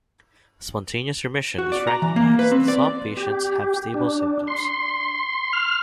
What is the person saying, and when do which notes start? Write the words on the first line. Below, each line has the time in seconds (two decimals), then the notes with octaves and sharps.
Spontaneous remission is recognized; some patients have stable symptoms.
1.58 F#4
1.72 D5
1.87 A#5
2.02 E3
2.16 A#3
2.39 B4
2.51 C4
2.68 D5
3.17 G4
3.94 D4
4.47 C6
5.53 F6